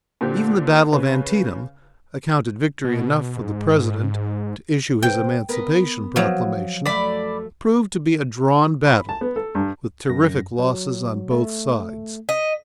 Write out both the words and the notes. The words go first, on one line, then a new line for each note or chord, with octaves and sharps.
Even the battle of Antietam, accounted victory enough for the President to issue his Emancipation Proclamation, proved to be a drawn battle, with terrific losses on both sides.
A#2 D3 C4 G4
C#3 B4
B2
G#2
E2 C3 C4 G5
B3 A#4 B4
F3 F#3
F#2 A3 D5 E5 B5
B5
A5
B3
A4
G2
F#2 A#6
F#3
A3
D#5 B6